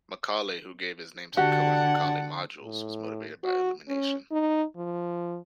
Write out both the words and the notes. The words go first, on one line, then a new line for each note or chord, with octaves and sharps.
Macaulay, who gave his name to Cohen-Macaulay modules, was motivated by elimination.
D3 D4 F#4 G4 F#5
A2
F#4
C#4
D#4
F3